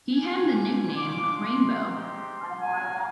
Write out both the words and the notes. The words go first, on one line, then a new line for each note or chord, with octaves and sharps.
He had the nickname "Rainbow".
G3 D4 G4 G#5
G#3 D4 F4 D6
C6
G#3 C4 D#4 G4
G3 A#3 F4 G#5